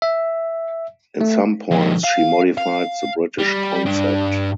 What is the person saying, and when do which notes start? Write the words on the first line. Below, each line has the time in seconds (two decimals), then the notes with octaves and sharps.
In some points she modified the British concept.
0.02 E5
1.21 A3
1.71 F2 G#3
2.04 F5
2.58 F5
3.38 G3
3.86 G2 D4